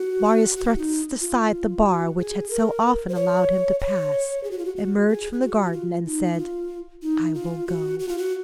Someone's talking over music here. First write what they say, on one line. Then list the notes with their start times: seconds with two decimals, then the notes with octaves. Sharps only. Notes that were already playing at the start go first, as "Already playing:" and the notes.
Marius thrust aside the bar which had so often allowed him to pass, emerged from the garden, and said: "I will go."
Already playing: F#4
0.56 F#4
0.78 D#4
1.21 F4
1.86 F#4
2.18 G#4
2.50 A#4
3.08 C5
3.15 C#5
3.80 C#5
4.44 G#4
4.51 F#4
4.58 F4
4.65 F#4
4.76 F#4
5.08 G#4
5.33 G#4
5.41 F#4
5.73 F4
6.05 D#4
6.33 D#4
6.38 F4
7.02 D#4
7.34 F4
7.67 F#4
7.99 F#4
8.09 F4
8.18 F#4